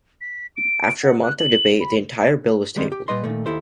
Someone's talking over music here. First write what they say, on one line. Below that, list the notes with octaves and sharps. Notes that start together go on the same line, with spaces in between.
After a month of debate, the entire bill was tabled.
B6
D7
F#5
F#6
F#7
B5
D#3 G3 G#3 A#3 C4 C#4
G4
A#2 G3 B4 D#5 C6
A#2 D#3 A3
D#2 E4 A4 C5